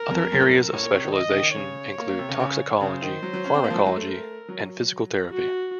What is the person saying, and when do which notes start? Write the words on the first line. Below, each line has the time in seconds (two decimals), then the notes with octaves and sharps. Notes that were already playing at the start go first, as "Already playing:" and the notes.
Other areas of specialization include toxicology, pharmacology, and physical therapy.
Already playing: A#4
0.11 F2
0.32 F#2
0.40 A2
0.48 F#2
0.73 A2 C#5
0.83 A#2
0.94 C3
1.04 D#3
1.15 D#5
1.29 C#3
1.35 D#3
1.56 C#3 C#5
1.98 A#3
2.09 A#3
2.19 C3
2.29 C#3
2.40 C#3
2.81 C#3 C5
3.02 D#3
3.23 F#3
3.33 F#3
3.44 C#4
3.54 C4
3.64 A#3
3.70 F3
3.75 F#3
3.86 F#3
3.96 A3
4.06 A3 A#4
4.48 F#3
5.31 F#4